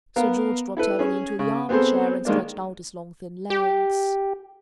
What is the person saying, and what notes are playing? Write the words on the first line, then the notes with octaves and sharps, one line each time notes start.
Sir George dropped heavily into the arm-chair, and stretched out his long thin legs.
B3 A#4 F5
E4 A4 B4
C#4 G#4
C#3
B3 C4 G#4 A4 C5
D#3 G#3 A#3 D4
G4